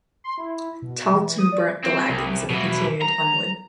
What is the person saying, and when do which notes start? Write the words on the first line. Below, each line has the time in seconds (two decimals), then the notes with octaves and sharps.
Tarleton burnt the wagons and continued onward.
0.24 C6
0.37 E4
0.82 B2
1.14 E3
1.38 D#6
1.52 D5
1.84 C4
2.09 C2
2.50 B2 E3
3.02 A#5